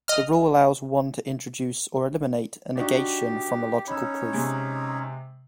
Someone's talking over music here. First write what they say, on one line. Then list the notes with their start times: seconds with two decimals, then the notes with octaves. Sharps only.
The rule allows one to introduce or eliminate a negation from a logical proof.
0.08 D#5 F6
2.76 D4 D#4 F#4 G4
3.88 C#4 D#4 C#5 B5 E6
4.33 C3 G#3